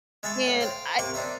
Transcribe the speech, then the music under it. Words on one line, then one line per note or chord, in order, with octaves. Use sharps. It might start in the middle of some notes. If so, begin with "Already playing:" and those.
and I
G#3 E5 A5 B5 C#6
A2
C5 F5 G5
C3 A#3 C#6 D6
D4 D#4 C5 E5